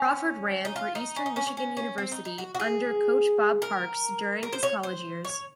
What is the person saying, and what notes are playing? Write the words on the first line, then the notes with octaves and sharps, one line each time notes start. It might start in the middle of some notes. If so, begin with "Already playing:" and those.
Crawford ran for Eastern Michigan University under coach Bob Parks during his college years.
Already playing: C#4
D#4
F4
D#4
C#4
D#4
C#4
C#4
C#4
C#4
C4
D#4
D#4
F#4
F#4
G#4
A#4
A#4
C5
C#5
C5
C#5